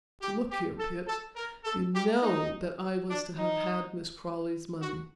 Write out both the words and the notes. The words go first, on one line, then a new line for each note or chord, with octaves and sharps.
Look here, Pitt--you know that I was to have had Miss Crawley's money.
G4
G4
A4
A4
A#4
A4
G4
D#4
D4
D#4
F#4